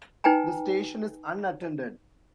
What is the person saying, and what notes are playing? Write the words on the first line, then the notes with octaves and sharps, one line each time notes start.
The station is unattended.
D#4 B4 G5 G#5 A#5